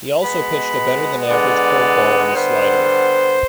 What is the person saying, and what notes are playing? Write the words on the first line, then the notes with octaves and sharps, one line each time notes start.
He also pitched a better-than-average curveball and a slider.
B2 G#3 B3 B5
D3 G#3 B3 D5
D3 G3 B3 C5